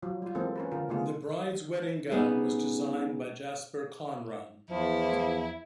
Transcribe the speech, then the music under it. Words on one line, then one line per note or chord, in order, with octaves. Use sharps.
The bride's wedding gown was designed by Jasper Conran.
F3 F#3 F4
G3 F4
E3 G#3 A#3 C4 A4
C#4 A#4 B4
D3 F4 A#4
C#3 A3 B3 F4 G#4
G3 B3 C#4 D#4 G#4
E2 F3 E4